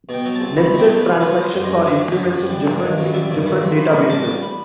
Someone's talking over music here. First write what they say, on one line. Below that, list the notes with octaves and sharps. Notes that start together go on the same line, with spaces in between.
Nested transactions are implemented differently in different databases.
B2 G5
F#3
A5
C2
C2 B5
B2
G5
F#3
B4
C2
F#3 B4
F#3
C5
F#2
D#5
F#2
F#3
F#3
F#2
F#2
G3
G2
D#3
A1
G3 E5
G2
D#3 B5
A1
A1 B5
A2
G3 A5
A1
B5